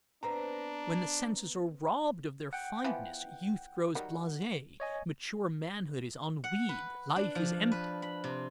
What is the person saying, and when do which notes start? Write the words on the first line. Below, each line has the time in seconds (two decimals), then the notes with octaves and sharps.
When the senses are robbed of their fineness, youth grows blase, mature manhood is ennuied, life is empty.
0.23 B3 C4 D4 B4 A#5
2.53 F#5 G5
2.84 E3 F3 B3
3.95 D#3 F#3 G3 F#5
4.80 C#5 D#5 G#5
6.44 F#5
6.69 B4
7.16 D4
7.35 F3
7.72 B4
8.02 B5
8.24 C3